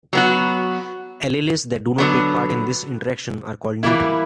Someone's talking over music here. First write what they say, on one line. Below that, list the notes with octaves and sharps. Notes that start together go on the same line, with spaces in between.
Alleles that do not take part in this interaction are called neutral.
F#3 B3 F#4
D3 F#3 B3
E3 G3 A#3 E4